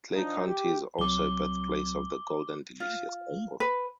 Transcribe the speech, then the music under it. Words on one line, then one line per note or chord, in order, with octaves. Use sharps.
Clay County is also the birthplace of the "Golden Delicious" Apple.
F3 D4 D#4
G4
C2 F#3 C4 D6 G7
F4
B4